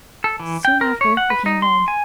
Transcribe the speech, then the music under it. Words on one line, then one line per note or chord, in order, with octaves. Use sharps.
Soon after we came home.
A4
E3
G5
A#4
C#5
F#5
B4
D#4
C6
G#5